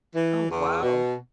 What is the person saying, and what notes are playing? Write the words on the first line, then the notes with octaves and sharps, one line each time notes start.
Oh, wow.
E3
E2
B2